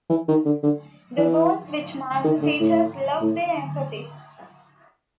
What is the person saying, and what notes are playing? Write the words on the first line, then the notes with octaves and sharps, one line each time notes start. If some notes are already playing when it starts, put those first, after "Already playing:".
The bones which mark the features lose their emphasis.
E3
D#3
D3
D3
E3
D#3
D3
A2
A2